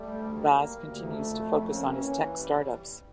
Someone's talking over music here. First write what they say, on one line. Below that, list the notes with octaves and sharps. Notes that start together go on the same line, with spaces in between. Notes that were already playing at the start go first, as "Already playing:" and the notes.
Baz continues to focus on his tech start-ups.
Already playing: G3 A3
D2
G3 A#3
A#3
D2
F2 A3
F2
F2
A#3 C#4
E3
E3
G3